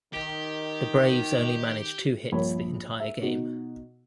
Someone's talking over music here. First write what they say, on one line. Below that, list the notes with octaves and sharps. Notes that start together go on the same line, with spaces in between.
The Braves only managed two hits the entire game.
D#3 G4
A#1 G2 C#5 B5
E5
B2 D#4 F#4